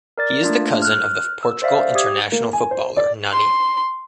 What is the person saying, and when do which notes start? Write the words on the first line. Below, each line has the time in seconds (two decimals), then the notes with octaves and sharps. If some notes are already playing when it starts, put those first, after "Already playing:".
He is the cousin of the Portugal international footballer Nani.
0.18 A#4 D5 A6
0.44 A3 A#3 D4 F4
0.82 F6 F#6
1.43 E6
1.62 C5 D5 E5 F5
1.95 G4 D#6 G#6
2.32 A#3
2.53 G#5
2.71 C5
2.97 D5
3.32 C6